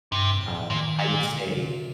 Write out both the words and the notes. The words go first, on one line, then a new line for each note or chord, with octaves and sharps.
uh, I would say
G2 C3
A2
A2
A#2 D#3
A#2
D3
C3